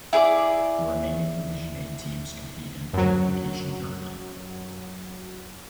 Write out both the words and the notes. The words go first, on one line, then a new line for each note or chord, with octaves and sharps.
The remaining Division A teams compete in a qualification tournament.
E4 G#4 D5 D6
F#2 F#3